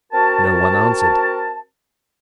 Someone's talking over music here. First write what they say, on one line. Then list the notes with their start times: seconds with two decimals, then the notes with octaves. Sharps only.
No one answered.
0.12 C4 F#4 A#4 A5